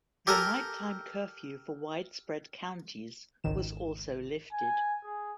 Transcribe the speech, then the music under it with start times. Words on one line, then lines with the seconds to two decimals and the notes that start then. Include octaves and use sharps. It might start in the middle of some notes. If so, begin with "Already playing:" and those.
The nighttime curfew for Widespread counties was also lifted.
0.27 G4 A4 A#4 G#5 A#5
3.44 G#1 C#2 D#3 E7
4.52 G#5
5.04 G#4